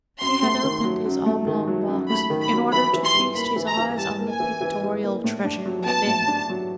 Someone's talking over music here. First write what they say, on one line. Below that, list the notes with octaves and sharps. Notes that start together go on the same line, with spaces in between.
He had opened his oblong box, in order to feast his eyes on the pictorial treasure within.
F#2 C6
A3
D#3
F#3
F#2
A3
D#3
F#3
F#2
A3 B5
D#3
B5
F#3
E3 B5
E3
C6
G3
A#3 B5
E3
A#5
E3
G3 A5
A#3
G#5
E3
E3
G3
A#3
A2
D4
F#3
B3 A5
A2
D4
F#3